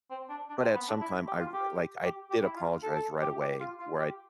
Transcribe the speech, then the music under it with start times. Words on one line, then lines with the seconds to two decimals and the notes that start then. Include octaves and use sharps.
But at some time, I r like, I did apologize right away where I
0.10 C4
0.30 D4
0.49 D4
0.62 C4
0.75 B3
0.88 D4
1.01 E4
1.27 G4
1.40 F4
1.53 G4
2.05 G4
2.30 G4
2.44 E4
2.56 F4
2.83 A4
2.96 A4
3.21 G4
3.41 G4
3.60 F4
3.80 F4
3.99 G4